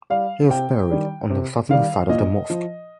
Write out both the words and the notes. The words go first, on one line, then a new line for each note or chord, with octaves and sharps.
He was buried on the southern side of the mosque.
G3 F5
C3 G5
D#3 G3
C3
D#3 G3 F5
A#2 D#5
F3